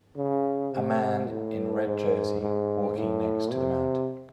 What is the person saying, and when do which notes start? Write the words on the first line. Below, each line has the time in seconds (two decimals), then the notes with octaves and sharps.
A man in red jersey walking next to the mountain.
0.17 C#3
0.74 C3
1.28 A2
1.85 G#2
2.41 G#2
2.97 A2
3.52 C3